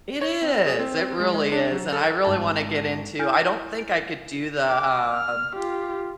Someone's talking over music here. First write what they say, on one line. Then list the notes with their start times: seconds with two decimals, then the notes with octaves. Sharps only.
It is. It really is, and I really wanna get into I don't think I could do the, um,
0.21 C#5
0.42 C4
0.66 G#4
0.79 C4
1.20 G#3
1.34 G#3
1.52 D4
1.72 F#3
1.93 A4
2.24 G#1 A5
3.19 E4 G#5 F6 G6
4.69 D6
5.12 F6
5.56 F4 G4